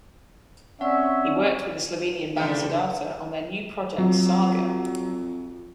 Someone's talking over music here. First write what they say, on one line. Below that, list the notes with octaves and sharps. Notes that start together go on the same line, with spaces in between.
He worked with the Slovenian band Siddharta on their new project Saga.
C4 C#4 D5 E5 F#5 C#6
C#3 E3 A3 D4 G4
F2 F#3